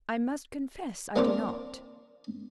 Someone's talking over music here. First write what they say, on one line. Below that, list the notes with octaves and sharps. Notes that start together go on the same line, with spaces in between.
"I must confess I do not."
A#3 C4 D4 A#4 C5 D5